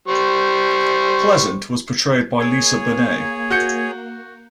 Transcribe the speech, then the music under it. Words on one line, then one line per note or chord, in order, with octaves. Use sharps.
Pleasant was portrayed by Lisa Bonet.
G3 C5 C#6
A#3 G#4 C#5
F#4 G6 C#7